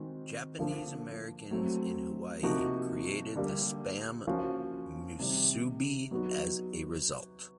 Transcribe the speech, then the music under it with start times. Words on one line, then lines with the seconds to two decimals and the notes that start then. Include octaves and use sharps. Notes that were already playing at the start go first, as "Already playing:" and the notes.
Japanese Americans in Hawaii created the Spam musubi as a result.
Already playing: D#3 G#3 C4 D#4 F#4
0.58 D3 F3 A#3 D4
1.51 F#3 A3 C4
2.43 C3 F3 A#3 D#4 F#4
3.35 D3 G3 A#3
4.27 F3 A#3 C#4 F#4
5.19 C3 D#3 G3
6.11 F#3 B3 D#4 F#4